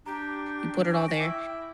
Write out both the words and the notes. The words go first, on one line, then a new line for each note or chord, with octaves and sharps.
you put it all there,
D4 G4 A#5
G5
C5 G#5 C#6
A#6 D7
E4 D6 E6